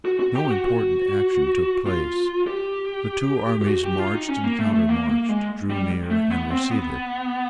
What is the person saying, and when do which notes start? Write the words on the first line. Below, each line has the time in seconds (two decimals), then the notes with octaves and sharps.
No important action took place. The two armies marched and countermarched, drew near and receded.
0.05 F#4
0.20 F#4
0.35 G4
0.50 F#4
0.65 F#4
1.86 F4
2.47 G4
3.61 G4
3.68 F#4
3.84 G4
3.99 F4
4.14 D#4
4.28 C#4
4.44 A#3
4.59 A3
4.73 A3
4.89 A#3
5.09 A#3
5.29 G#3
5.70 G3
6.10 A3
6.30 B3
6.50 C4
6.71 B3